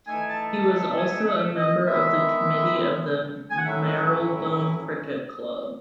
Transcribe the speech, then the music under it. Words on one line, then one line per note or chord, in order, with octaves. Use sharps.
He was also a member of the Committee of the Marylebone Cricket Club.
E3 A3 D#4 G#5
A5
A5
A5
G#5
E5
D#5
D#3 G#3 B3 E4 E5
G#5
F#5
A2 F#3 C#4 E4 E5
F#5